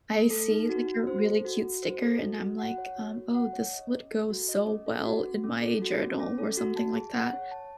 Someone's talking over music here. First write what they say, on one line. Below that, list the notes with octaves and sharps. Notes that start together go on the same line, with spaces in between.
I see, like, a really cute sticker, and I'm like, um "Oh, this would go so well in my journal or something like that.
A3
A4
D#4
F#4
F#4
C5
A4
F#4
F#4
C5
A4
F#4
F#4
F#5
C#5
F#4
F#4
F#5
C#5
D#5
C#4
A4
F#4
D#5
C#4
A4
F#4
C#4
C#4
A4
F#4
C#4
C#4
A4
F#4
A5
G#4
F#5
C#5
A5